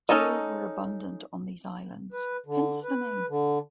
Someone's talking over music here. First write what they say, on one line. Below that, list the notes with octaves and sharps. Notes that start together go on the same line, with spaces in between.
Deer were abundant on these islands, hence the name.
C#4 D#4 A4 D#5
B4
D3
B4
D3